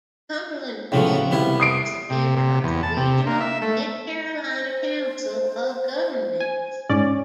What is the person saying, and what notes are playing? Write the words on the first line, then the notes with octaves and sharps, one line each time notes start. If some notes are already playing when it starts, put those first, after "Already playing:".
Cumberland County is a member of the regional Mid-Carolina Council of Governments.
A2 C#3 F3 F#3
C2 B3 E4
D#6 C7 D7
C3
C3
E2
A5
C3
A#3
E5
A3
C5
G#5
G#2 C#4 D5